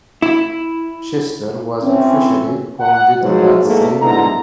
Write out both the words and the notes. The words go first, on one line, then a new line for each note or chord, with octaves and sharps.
Chester was officially founded that same year.
E4
E3 C4 C#4
F#5
G#2 B2 F3 F#3
E2 G#2 A3 A#3
G#2 D3 B3 E4 A#5